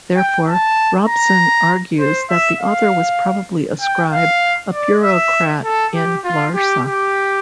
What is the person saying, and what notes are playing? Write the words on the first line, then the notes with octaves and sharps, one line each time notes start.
Therefore, Robson argues that the author was probably a scribe, a bureaucrat in Larsa.
G5
A5
A#5
C5
E5
F5
G5
F5
D5
E5
A4
G4
F4
G4
G4